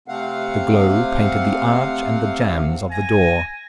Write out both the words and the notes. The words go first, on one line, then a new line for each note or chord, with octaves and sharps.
The glow painted the arch and the jambs of the door.
C3 A3 C4 F5 F#5
G#5 A#6